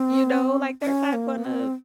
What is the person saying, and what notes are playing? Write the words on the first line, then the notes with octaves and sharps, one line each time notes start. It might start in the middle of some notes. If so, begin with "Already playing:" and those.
You know? Like, they're not gonna
Already playing: C4
C#4
A#3
C4